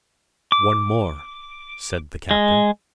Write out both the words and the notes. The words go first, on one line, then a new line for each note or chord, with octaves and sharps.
"One more," said the captain.
D6
G#3